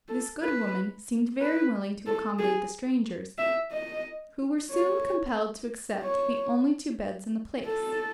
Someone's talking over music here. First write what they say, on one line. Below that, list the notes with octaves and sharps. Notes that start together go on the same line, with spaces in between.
This good woman seemed very willing to accommodate the strangers, who were soon compelled to accept the only two beds in the place.
A4
B4
B4
A4
G#4
E5
D#5
C#5
C#5
A4